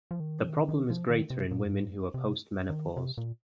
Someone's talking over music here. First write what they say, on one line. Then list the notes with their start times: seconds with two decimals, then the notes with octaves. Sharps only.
The problem is greater in women who are post-menopause.
0.11 F3
0.20 D#3
0.39 F3
0.48 D#3
0.69 D#3
0.90 F3
1.10 D#3
1.30 C3
1.51 A#2
1.64 F#2
1.72 G#2
2.14 C3
2.70 D#3
2.97 C3
3.18 A#2